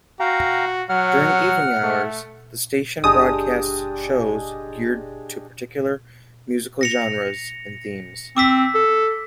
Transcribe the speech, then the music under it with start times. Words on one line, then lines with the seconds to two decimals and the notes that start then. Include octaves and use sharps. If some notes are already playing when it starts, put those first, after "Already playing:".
During evening hours, the station broadcasts shows geared to particular musical genres and themes.
0.20 F#4 F5 G5 A#5
0.89 F#3 F#5 F6
1.83 A3
3.04 F#1 G#3 D4 G4 D#6
6.81 A#6 C#7 F7
8.37 C4 D6 E6 B6
8.75 A4